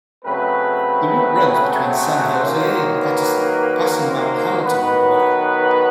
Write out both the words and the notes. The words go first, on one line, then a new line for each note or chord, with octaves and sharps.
The route runs between San Jose and Patterson, passing Mount Hamilton on the way.
C#3 F#3 A3 C4 B4
C5
D#3 F#3 A#3
B4
C5
D#3 F#3 B3 B4